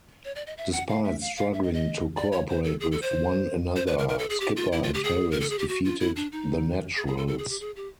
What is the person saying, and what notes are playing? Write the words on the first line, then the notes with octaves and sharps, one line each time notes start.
Despite struggling to cooperate with one another, Skipper and Harris defeated The Naturals.
C#5
D5
D#5
E5
F#5
F5
E5
F5
F5
E5
D#5
D#5
D5
C#5
C5
A4
G#4
A4
C5
C5
B4
A#4
A#4
A4
G#4
G4
F4
E4
F4
G4
G#4
A#4
A4
G#4
G4
F#4
F4
E4
D4
D#4
G#4
G#4
A4
A4
G#4
G4
G#4
G4